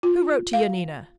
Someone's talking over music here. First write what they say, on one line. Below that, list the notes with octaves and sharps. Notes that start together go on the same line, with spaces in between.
"Who wrote to Yanina?"
F4
F5